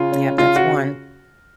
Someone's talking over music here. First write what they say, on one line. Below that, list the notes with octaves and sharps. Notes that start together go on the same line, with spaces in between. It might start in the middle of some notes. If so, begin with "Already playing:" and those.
Yep, that's one.
Already playing: C#3 F4
C#4
C#3 F4
F#4